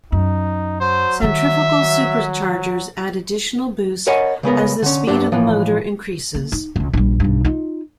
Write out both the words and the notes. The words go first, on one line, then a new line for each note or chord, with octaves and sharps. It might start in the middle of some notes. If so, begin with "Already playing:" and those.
Centrifugal superchargers add additional boost as the speed of the motor increases.
F#2 D#4
F#3 C5
D#3 G3 E5
F#3
A#4 C#5 D#5 F#5 G#5 B5
C#3 G#3 B3 A#4
D3 C#4
C2 G2 F#3 D4 G4
A2 E3 F3
A#3
D#4
C#2 C#3
A#1 G3
B1 G2
D#4 F4